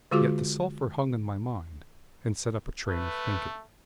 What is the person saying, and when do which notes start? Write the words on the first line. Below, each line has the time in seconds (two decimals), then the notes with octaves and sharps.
Yet the sulphur hung in my mind, and set up a train of thinking.
0.11 D3 G#3 F4 F#4 G#4 D6
2.88 A3 B4